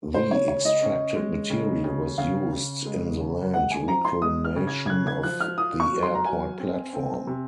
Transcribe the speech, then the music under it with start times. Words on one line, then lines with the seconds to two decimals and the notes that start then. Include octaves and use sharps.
The extracted material was used in the land reclamation of the airport platform.
0.14 C#3 C5
0.31 C#5
0.48 C#3 C#5
0.65 D#5
0.82 C#4
1.16 G#3
1.50 C#3
1.84 C#3
2.18 C#3 F5
2.52 C#3
2.86 G#3
3.20 C#3
3.54 G#3 F#5
3.71 G#5
3.87 F3 A#5
4.05 C6
4.22 G#3 D#6
4.45 F6
4.56 C#3
4.67 G#6
4.86 G#6
4.90 C#3 F#6
5.07 G#6
5.23 F3 F#6
5.40 F6
5.58 F4 D#6
5.80 C#6
5.92 F#3
6.03 C6
6.15 A#5
6.26 F#3 G#5
6.59 C4
6.93 C4
7.27 C3